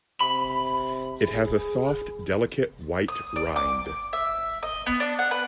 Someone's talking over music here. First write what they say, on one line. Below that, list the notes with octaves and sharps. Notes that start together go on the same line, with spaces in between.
It has a soft, delicate white rind.
C3 B5
G#4
D#6
D5
D6
E5
D#5
B3
D4
F#5
B4